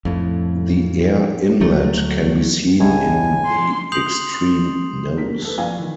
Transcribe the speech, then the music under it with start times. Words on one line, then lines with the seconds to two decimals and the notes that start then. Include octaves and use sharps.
The air inlet can be seen in the extreme nose.
0.05 F2 A2
1.61 D2 F#3 A3
2.80 C#2 A2 G#5
3.46 C6
3.92 C6 D#6 G6 C7 F7 F#7
5.17 A#4 B6
5.45 A4 B4
5.58 A#1 F3 A3 B3 F5 G#5
5.78 D#3 E3